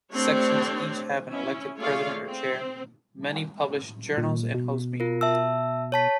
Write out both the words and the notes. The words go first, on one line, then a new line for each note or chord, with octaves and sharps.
Sections each have an elected president or chair; many publish journals and host meetings.
A3 C4 D4 G4 C#5
C#4 E4
A3 F4 G#4 C#5 D5 F5
C4
A#2
B2
F4 A#4
E5 A5 E6
C#5 A5 B6